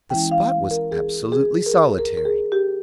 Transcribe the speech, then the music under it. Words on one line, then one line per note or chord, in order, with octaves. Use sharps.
The spot was absolutely solitary.
E3 G#3 C#4 E4 G5
F5
F5
A#4
G#4
G#4
A#4
G#4
A#4
A#4
G#4
G4